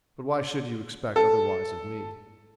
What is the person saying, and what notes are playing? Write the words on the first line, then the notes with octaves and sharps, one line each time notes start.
But why should you expect otherwise of me?
A4